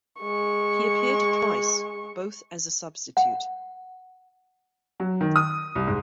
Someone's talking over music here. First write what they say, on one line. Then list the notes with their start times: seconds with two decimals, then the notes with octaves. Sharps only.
He appeared twice, both as a substitute.
0.20 G#3 C#6
3.17 F#5
5.00 F#3
5.21 D#3
5.36 D#6
5.75 C2
5.87 G#2